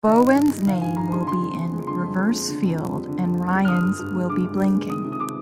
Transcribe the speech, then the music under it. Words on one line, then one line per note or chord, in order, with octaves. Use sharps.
Bowen's name will be in reverse-field and Ryan's will be blinking.
D#3 D#5
G2
G2
G3
D#3 F5
G2 G#5
G2 A#5
G3 C6
D3 C6
F2
F2
G#3
D3 C6
F2
F2
G#3
D3
F2
F2
G3
D3
F2
F2
G3
F6
D3 D#6
G2
G2
G#3
D3 D6
G2
G2
G#3
D#3 D#6
C3
D#6
C3 D6